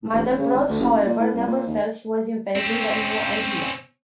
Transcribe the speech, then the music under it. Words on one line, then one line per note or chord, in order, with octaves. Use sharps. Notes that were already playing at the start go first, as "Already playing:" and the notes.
Mandelbrot, however, never felt he was inventing a new idea.
E1
F1
C#3
G#1
D2
F#1
F#1
A#2
A2
C2
A#2
D#2
C4 C#4